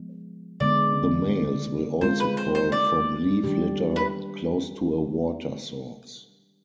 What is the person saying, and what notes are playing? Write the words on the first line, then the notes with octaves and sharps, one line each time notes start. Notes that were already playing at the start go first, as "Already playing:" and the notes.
The males will also call from leaf litter close to a water source.
Already playing: F3 G#3 B3
D3 G#3 B3 D5
G#3 C4 F4 C5
B4
C5
C5
D5
D#3 G3 D4 G4
B4